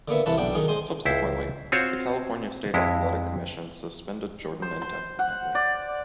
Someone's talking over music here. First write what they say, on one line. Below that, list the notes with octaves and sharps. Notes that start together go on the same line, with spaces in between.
Subsequently, the California State Athletic Commission suspended Jordan indefinitely.
D3 A#3 B3 E5
C2 C3 E3 C#4 B4 A5
B1 D4 F#4 G5 D6
D#3 F#3 D#4 G#4
G#3 C5 G#5 C6
C#2 E4 C5
C4 F4 F#4 C5 C#5
F2 G#3 E4
C5
C6
F#5
D5